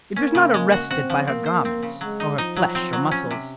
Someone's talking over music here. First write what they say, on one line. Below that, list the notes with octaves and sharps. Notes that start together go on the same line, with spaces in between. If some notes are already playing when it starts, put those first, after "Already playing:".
It was not arrested by her garments, or her flesh or muscles.
A#3 C#4
C#3
G#3
F#4
C4 F#4
F3
A#3 C4
C5
C4
C#3
F#3 G#3
D#4
F3 D#4
F#3
C4
F#3
C#4
C3